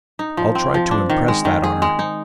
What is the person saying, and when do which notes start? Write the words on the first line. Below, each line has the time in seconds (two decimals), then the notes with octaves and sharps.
I'll try to impress that on her.
0.19 D#4
0.37 F3
0.55 C4
0.74 F3
0.91 D4
1.10 D#3
1.28 G#3
1.45 D#3
1.64 G#4
1.82 G#3
1.99 D#4